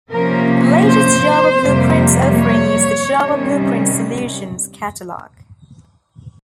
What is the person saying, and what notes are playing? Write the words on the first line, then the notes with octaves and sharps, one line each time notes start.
The latest Java BluePrints offering is the Java BluePrints Solutions Catalog.
C3 F3 A#3 C#4 A#4
C5
F2 C3 G3 A#3
C#5
C3 D#3 G3 C#4